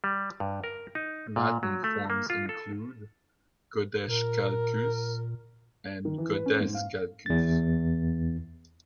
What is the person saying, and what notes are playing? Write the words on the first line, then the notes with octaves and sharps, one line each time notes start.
Latin forms include "Godeschalcus" and "Godescalcus".
G3
G2
A#4
D#4
A#2
F#3
A3
A#3
F4
A4
A#2 A#4
D#3
E3
B4
C#4
G#2
F5
E2 A6